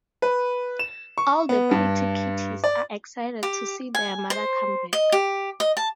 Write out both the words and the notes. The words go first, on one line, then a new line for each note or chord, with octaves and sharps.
All the pretty kitties are excited to see their mother come back.
B4
E7
C#6
B3
G2
D5
G4
G#5
C5
D#5
G4
D#5
A5